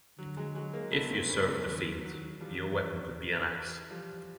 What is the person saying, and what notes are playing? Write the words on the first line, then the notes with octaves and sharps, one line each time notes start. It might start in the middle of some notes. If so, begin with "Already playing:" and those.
If you serve the Fiend, your weapon could be an axe.
D3 F#3
F#3 G#3
F#3 G#3
G#3 A#3
C#3 A3 B3
A#3 C4
B3 C#4
F#3 G#3
D#3 F#3
F#3
E3 F3 G3
F3 G3